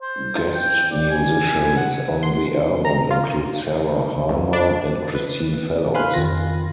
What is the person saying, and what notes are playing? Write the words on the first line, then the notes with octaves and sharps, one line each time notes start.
Guest musicians on the album include Sarah Harmer and Christine Fellows.
C5
G5
D5
G#5
F#5
C6
A#5
F4
C#2
D4
B4
F5 G#5 B5 C6 F6 F#6
F2 D#3 F4 A#6